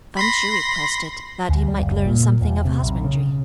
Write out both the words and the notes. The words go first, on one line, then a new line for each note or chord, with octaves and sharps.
Fan Ch'i requested that he might learn something of husbandry.
B5 C6 A#6
D2
G3
F#1
A#2
E1
C3
B1
C#3